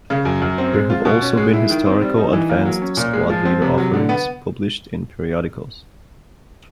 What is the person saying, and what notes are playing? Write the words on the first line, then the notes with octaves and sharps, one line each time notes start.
There have also been Historical Advanced Squad Leader offerings published in periodicals.
C#3
F#2
F#2
C4
G#3
F4
B2
C#4
G#3
E4
D#3
C4
G3
D#4
E3
A#3
F#3
C#4
A#2
G#3
F3
C4
C3
F#3
D3
B3